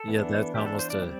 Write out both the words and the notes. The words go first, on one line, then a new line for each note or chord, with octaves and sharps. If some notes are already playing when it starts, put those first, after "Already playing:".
Yeah, that's almost a
Already playing: A4
E3 B3 D4
E3 B3 D4 G4
A4
C5
D5
G3 C4